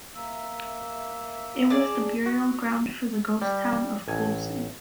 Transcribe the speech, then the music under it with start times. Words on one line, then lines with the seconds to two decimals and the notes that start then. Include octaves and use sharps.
It was the burial ground for the ghost town of Coulson.
0.14 A#3 E5
1.70 G#4 D5 A5
2.26 F#4
3.42 G3
4.08 A1 G#5